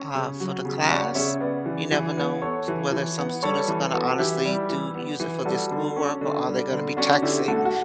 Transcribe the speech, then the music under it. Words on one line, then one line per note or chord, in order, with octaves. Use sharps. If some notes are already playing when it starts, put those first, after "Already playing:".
uh, for the class. You never know whether some students are gonna honestly do use it for their schoolwork, or are they gonna be texting
Already playing: C#4
C#3
F#3
C#3
C#4 D5 F#5
C#3 C#5 E5
B3 B4 D5
E3
E3
B3
B3 A4 C#5
E3
E3
B3
G3 A4 C#5
E3
B3 F#4 A4
E3 E4 G4
G3
E3
B3
E3
G3 F#4 A4
D3
C#4
D3
G3
D3
C#4 D4 F#4
D3 E4 G4
A3 F#4 A4
F#4